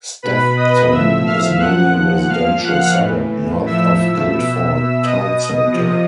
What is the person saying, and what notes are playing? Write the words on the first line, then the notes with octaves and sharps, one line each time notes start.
Stoughton is a mainly residential suburb north of Guildford town centre.
B2 B4 B5
D#5 D#6
A2 F3 E5 E6
F5 F6
A#2 F3 F#5 F#6
A#2 F3 F5 F6
F#5 F#6
A2 E3
A2 F3 E5 E6
B2
B2 D#5 D#6
C3 F3